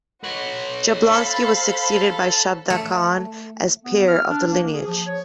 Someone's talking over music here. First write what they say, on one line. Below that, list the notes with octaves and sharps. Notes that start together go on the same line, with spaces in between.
Jablonski was succeeded by Shabda Kahn as Pir of the lineage.
F#4 B4 C#5
A4 C5 F5 B5
A3
B3
F6
D4
A#3
G#4
F3
C#5